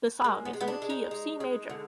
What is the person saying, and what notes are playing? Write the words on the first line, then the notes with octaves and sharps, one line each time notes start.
The song is in the key of C major.
G#3 A#3
B3
G#3
B3
D4
G#3
D#4
G#3
G#3
D3